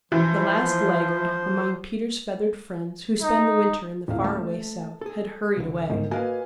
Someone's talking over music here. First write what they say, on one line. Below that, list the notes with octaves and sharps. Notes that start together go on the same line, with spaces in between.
The last laggard among Peter's feathered friends who spend the winter in the far-away South had hurried away.
E3 F3 C5
D#4
D#1 E4 F5
A3 A5
G#4 A4
C2 D3
G1 G#2 D#3
A#3 F#4 B4 D#5 F5 G#5